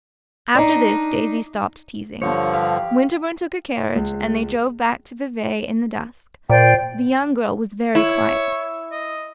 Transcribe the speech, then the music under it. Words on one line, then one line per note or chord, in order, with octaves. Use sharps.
After this Daisy stopped teasing. Winterbourne took a carriage, and they drove back to Vevey in the dusk; the young girl was very quiet.
D4 D#4
G2 D3 F3 C#5
G4 F5
C#2
A#2 C5 D5 G5
E4 C#5
D#5